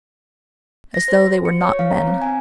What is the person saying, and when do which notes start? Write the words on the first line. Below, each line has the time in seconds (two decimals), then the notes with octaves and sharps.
As though they were not men.
0.94 A#6
1.08 C5
1.25 F#4
1.45 C#7
1.61 C#5
1.79 F5
1.91 A#5
2.07 C4
2.22 G#5